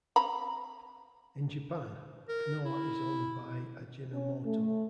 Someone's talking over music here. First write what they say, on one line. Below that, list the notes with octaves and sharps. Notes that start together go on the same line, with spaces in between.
In Japan, Knorr is owned by Ajinomoto.
C4 A#5 B5
A#4
E4
C#4
A3